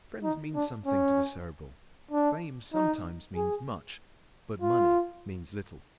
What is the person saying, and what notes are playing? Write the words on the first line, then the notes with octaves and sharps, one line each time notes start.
Friends mean something to the Cerebral, fame sometimes means much but money means little.
D#4
D4
C#4
D4
D#4
G#4
F4